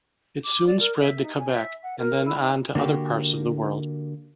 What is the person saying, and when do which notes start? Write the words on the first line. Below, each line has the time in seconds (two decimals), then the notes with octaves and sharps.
It soon spread to Quebec and then on to other parts of the world.
0.44 D6
0.67 D5
0.79 A#4
1.00 E5
1.23 D#4
1.39 G#5
1.53 E5
1.83 F#5
1.98 A#4
2.25 E4
2.39 D#4
2.75 D3 A#3 F#4 G4